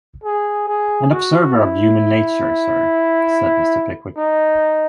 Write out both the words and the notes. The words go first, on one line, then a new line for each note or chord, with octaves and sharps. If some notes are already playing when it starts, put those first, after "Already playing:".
'An observer of human nature, Sir,’ said Mr. Pickwick.
G#4
G#4
F#4
E4
D#4